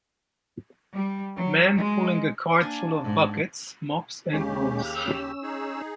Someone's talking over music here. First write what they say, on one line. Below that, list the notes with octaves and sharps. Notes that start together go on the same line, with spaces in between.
Man pulling a cart full of buckets, mops and brooms.
G3
F#3
G#3
A#3 D4 G#5
G#2
D#2 C#3 G#3 C#4 G4
C#4 E6
D#4 G#4